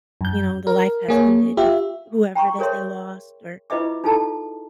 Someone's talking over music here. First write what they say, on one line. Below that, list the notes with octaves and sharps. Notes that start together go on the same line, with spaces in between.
you know, the life has ended of whoever it is they lost or
F#2 G6
A#4
A#3 G#4 C#5
F4 G4 E5
G5 A#5 C6 C#6
G#4 A#4 C#5 E5 C6
E4 F4 B4 D#5 E5 D6
D#4 F4 G#4 A4 A5 A#5